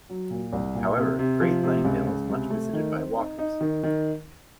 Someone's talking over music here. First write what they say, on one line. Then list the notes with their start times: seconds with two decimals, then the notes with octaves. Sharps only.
However, Great Langdale is much visited by walkers.
0.09 F#3
0.31 A#2
0.53 C2
0.75 A#2
0.97 C3
1.19 C3
1.41 F3
1.63 C3
1.85 C#2
2.07 C#2
2.29 C3
2.50 A3
2.73 D#3
2.95 C4
3.17 D#4
3.39 D#4
3.61 D#3
3.83 D#3